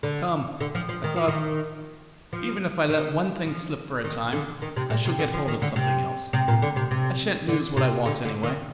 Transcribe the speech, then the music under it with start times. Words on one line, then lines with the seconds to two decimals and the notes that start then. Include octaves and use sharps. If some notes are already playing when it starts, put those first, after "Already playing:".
Come, I thought--even if I let one thing slip for a time, I shall get hold of something else--I shan't lose what I want, anyway.
0.03 D3
0.61 D3
0.75 F3
0.89 F3
1.04 D#3
1.16 F3
1.28 D#3
2.33 F3
2.90 D#3
3.46 F3
4.04 D#3
4.33 D3
4.62 D#3
4.76 C3
4.90 A#2
5.05 C3
5.19 D3
5.34 F3
5.48 D#3
5.62 D3
5.76 C3
6.33 C3
6.48 A#2
6.62 D3
6.76 C3
6.91 C3
7.48 D3
7.77 C3
8.06 D3
8.25 D3
8.43 D#3